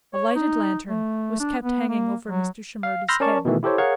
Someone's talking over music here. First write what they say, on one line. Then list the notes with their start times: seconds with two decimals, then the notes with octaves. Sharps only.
A lighted lantern was kept hanging over Mr. Shimerda's head.
0.14 C#5
0.36 D#4
0.89 A3
1.40 D4
1.63 B3
1.89 A#3
2.28 F#3
2.83 F5
3.08 B5 C6 E6 F6 G6 A#6
3.20 C#4 A#4 D5 A5 C#6
3.45 B2 D#3 E3 A3
3.63 E4 G4 A4 C5 C#5
3.78 G#4 A#4 C#5 F5 F#5 C#6